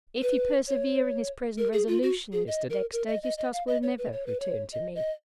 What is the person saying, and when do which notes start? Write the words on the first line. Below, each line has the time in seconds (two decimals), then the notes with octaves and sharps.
"If he persevere in his present resolution, Mr. Dexter, Eustace will never return to me."
0.22 B4
0.67 C#5
1.58 A#4
1.73 G#4
1.88 F4
2.02 F#4
2.33 G#4
2.48 D#5
2.70 A#4
2.93 A#4
3.07 D#5
3.23 D#5
3.38 D#5
3.53 F5
3.67 D#5
3.83 C#5
3.98 B4
4.12 C#5
4.26 B4
4.40 C#5
4.73 D#5
4.95 D#5